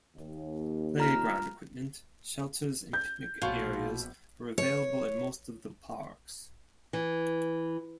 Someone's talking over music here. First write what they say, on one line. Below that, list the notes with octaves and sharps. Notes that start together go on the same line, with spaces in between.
Playground equipment, shelters and picnic areas are available at most of the parks.
D#2
F4 A#5 F6
G6
A#1 B2 F4 C#5
C#5
E3